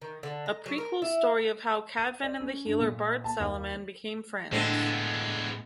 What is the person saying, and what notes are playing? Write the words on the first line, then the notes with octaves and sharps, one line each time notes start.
A prequel story of how Cadvan and the healer Bard Saliman became friends.
D#3
D3
A#5
F#3
A#4
E4
D#7
D5
C#4
G2
A#2
A5
D#2
A2 D3 G#3 B3 C4